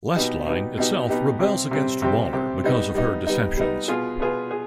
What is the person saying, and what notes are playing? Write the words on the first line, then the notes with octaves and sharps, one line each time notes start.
'Last Line' itself rebels against Waller because of her deceptions.
B2 B3 D#4 G4
B2 B3 D#4 G4
B2 B3 D#4 G4
B2 B3 D#4 G4
C3 G3 C4 G4
C3 G3 C4 G4
C3 G3 C4 G4
C3 G3 C4 G4
G3 B3 D#4
G3 B3 D#4
G3 B3 D#4
G3 B3 D#4
B2 B3 F4 G#4
B2 B3 F4 G#4
G#4